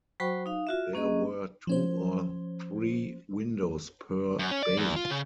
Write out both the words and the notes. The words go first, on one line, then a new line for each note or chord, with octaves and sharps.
There were two or three windows per bay.
F#3 F#4 C5 G5 B5 C#6
D#4 F5
F4 F#4 E5
A#3 C#4 G#4 D#5
F3 C#4 C5
F#2
C#4
D5
E2
F4
C#3